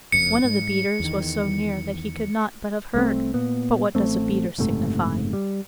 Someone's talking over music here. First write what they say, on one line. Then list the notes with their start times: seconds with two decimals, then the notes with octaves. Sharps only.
One of the beaters was so near that he could not but have heard;--but what does a beater signify?
0.12 F#1 F2 C#7
0.44 G#2
1.00 E2 D#3
2.94 C2 A3 C4
3.34 A#2 B3
3.95 A1 A3 C4
4.58 F#1 G#2 C3 A3
5.33 G3